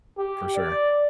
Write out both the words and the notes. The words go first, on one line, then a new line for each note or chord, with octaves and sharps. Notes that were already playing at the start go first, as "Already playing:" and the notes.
For sure.
G4
D5